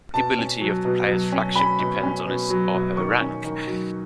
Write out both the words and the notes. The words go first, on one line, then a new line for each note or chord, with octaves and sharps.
The ability of the player's flagship depends on his or her rank.
B2 A5
C#4
F#3
B2
F#3
C#4
C#4 B5
B2
C#4
B2
F#3
B2
D#3 C#6
C#4
D#3
F#3